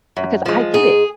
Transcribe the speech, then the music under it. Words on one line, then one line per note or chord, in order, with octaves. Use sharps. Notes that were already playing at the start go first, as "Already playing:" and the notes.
'cause I get it.
F#2
F3 G#3
G#2 G#4